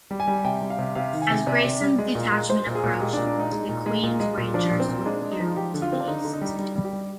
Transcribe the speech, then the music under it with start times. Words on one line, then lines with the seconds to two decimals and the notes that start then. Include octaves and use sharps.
As Grayson's detachment approached, the Queen's Rangers withdrew to the east.
0.11 G3
0.20 G#5
0.27 G3
0.45 C3 G5
0.62 G3
0.70 F5
0.79 C3
0.95 C3 F5
1.13 D#3
1.22 G#5
1.30 C3
1.47 C3 D5
1.64 C3
1.81 G3
1.98 G#3
2.15 A#2
2.32 G#3
2.49 G#3 C5
2.67 A#2
2.75 G#4
2.84 A#2
3.00 G#3 G4
3.13 A#2 D4
3.26 D4
3.35 G#3 D#4
3.52 G#3
3.69 A#2
3.86 G#3
4.03 A#2
4.20 G#3
4.37 A#2
4.54 F3 D4
4.71 A#2
4.80 C4
4.89 A#2
5.06 G#3 D4
5.22 G#3
5.32 D#4
5.40 F3
5.56 F3 G4
5.74 D3
5.82 F4
5.91 D3 C4
6.00 D4
6.08 D3 D#4
6.25 D3
6.33 D#4
6.41 G3
6.59 G3
6.76 G3
6.85 G4
6.93 G3